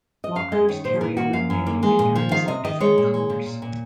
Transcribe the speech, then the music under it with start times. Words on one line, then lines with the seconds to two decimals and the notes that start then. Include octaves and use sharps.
Walkers carry illuminated lanterns of different colors.
0.24 D#5
0.35 F#2 F5
0.52 G#3 D#5
0.69 D#3 C#5
0.84 A#2 C5
0.95 G#4
1.01 A#2 A#4
1.17 A#3 F#4
1.33 F#2 F5
1.50 F#2
1.66 A#3
1.83 G#3
1.99 A#2
2.15 F3
2.31 D#3 F5
2.48 C3 D#5
2.64 D#3 D#5
2.80 G#3 C#5
2.98 A#2
3.14 G#3
3.30 A#2
3.46 A#2
3.62 A#2